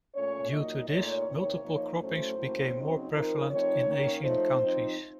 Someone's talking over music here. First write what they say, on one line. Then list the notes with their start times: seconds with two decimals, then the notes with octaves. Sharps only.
Due to this, multiple cropping became more prevalent in Asian countries.
0.14 A#2 A3 C#4 C#5
0.51 A#2 F#3 A#3 D#4 D#5
0.88 A#2 A3 D#4 C#5
1.25 C3 D#3 A#3
1.62 F3 A#3 D#4
1.99 A2 F#3 A3 C#4 C5
2.37 A2 F#3 A#3 C#4
2.74 C#3 F#3 C4 D#4
3.10 F3 C4 D#4 A#4
3.48 F3 A3 C4 D#4 C#5
3.85 D#3 A#3 C#4
4.22 F3 A3 D#4 C5
4.59 F3 C4 D#4